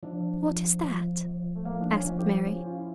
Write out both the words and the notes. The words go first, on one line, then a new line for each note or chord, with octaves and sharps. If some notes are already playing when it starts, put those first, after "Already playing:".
"What is that?" asked Mary.
F3 D4
F3
F3
F3
A3
F3 A#3
D4
C#4
F3
G4
C#4 F4
F4
E4